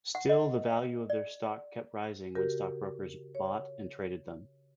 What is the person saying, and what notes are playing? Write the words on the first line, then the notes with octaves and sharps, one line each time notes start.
Still the value of their stock kept rising when stockbrokers bought and traded them.
F#5
D#5
D5
C#3 F#4 G4 A#4
C#5